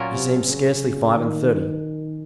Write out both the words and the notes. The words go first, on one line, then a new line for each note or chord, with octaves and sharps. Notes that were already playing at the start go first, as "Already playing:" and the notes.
He seemed scarcely five and thirty.
Already playing: A#2 F#3 C#4 F4 A#4
C3
C#3
D#3